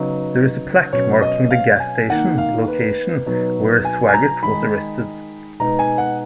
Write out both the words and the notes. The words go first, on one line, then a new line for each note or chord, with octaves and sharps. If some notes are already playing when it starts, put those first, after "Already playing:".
There is a plaque marking the gas station location where Swaggart was arrested.
Already playing: C#3 F#3 B3 D#4 D#5
B2 F#3 C#4 C#5
D#5
F5
G#5
D#3 A#3 D#4 F#5
F5
B4
B2 F#3 B3 D#4
G#5
G#5
A#5
D#3 G#3 D#4 B5
B2 G#3 B3 D#4 A#5
G#5
F#5